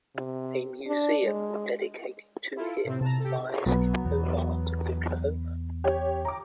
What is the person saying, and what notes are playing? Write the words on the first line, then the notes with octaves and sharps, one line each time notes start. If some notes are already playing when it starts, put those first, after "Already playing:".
A museum dedicated to him lies in Hobart, Oklahoma.
C3
D4
G#3
E4 F4 A4
A2 C3 C4
C3 A5 A#5
G4 A4
B1 F#3 B3
E2
G4 C#5
A#5 D6